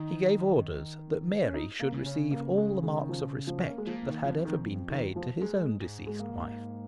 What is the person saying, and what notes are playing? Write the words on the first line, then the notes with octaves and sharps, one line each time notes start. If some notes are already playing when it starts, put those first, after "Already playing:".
He gave orders that Mary should receive all the marks of respect that had ever been paid to his own deceased wife.
Already playing: D#3 D#4
C#4
D#4
A#3
C#3
C#4
A#3
G#3
G#3
D#3
F3
F3
C#4
A#3
G#3
A#2 F3
D#3
F2 F3
D#3
D#3
F3
G#2 G#3
G#2
G#3
A#3